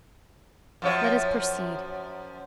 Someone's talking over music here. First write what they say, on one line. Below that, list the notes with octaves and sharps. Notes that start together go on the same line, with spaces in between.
Let us proceed.
F#2 F3 C#5